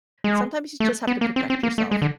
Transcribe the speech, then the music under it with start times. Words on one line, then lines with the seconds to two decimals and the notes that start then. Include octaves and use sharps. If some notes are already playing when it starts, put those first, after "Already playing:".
"Sometimes you just have to protect yourself."
0.24 G#3
0.80 A3
1.07 B3
1.21 A#3
1.36 C4
1.50 C4
1.63 A#3
1.78 A3
1.91 G#3
2.02 D3